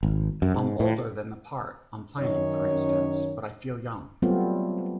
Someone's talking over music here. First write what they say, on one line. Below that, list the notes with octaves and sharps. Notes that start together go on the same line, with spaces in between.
I'm older than the part I'm playing, for instance, but I feel young.
G#1
F#2
G#2
A2
F#2 D#3 C#4 D#4 C#5
F#3 G3 A3 B3 C4 F4